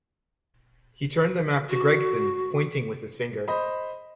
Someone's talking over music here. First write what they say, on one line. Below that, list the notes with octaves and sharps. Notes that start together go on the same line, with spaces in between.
He turned the map to Gregson, pointing with his finger.
F#4
C5 D#5 B5